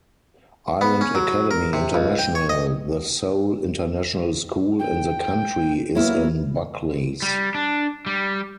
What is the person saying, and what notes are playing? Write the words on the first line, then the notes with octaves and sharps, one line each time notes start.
Island Academy International, the sole international school in the country, is in Buckleys.
B3
C#4
F#3
A#4
C3
C#2
G5
C#5
D#5
G5
F#3 A#3 B3 E4 F6
G3
D4
G3